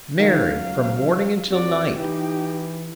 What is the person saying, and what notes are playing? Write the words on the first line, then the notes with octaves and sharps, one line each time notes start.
Mary!' from morning until night.
D#3 F#3 F5
C#2
F2 F#4 D5
E3 D#4 G4